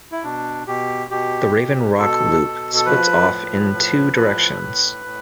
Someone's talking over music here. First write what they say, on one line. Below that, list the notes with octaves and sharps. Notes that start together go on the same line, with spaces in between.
The Raven Rock Loop splits off in two directions.
E4
B2 D4
B2 G4
B2 G4
B2
B2 A4
B2
A4
F3 B4
A2
F3
A2
A2
A2